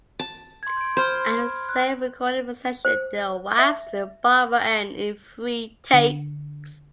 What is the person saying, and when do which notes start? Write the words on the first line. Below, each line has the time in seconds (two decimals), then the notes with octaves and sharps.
At the same recording session they waxed "Barbara-Ann" in three takes.
0.19 A5
0.63 C6 G#6
0.77 G6 D7
0.97 C5 B5 F6
1.69 F#6
2.85 C5
3.59 E5
5.93 D3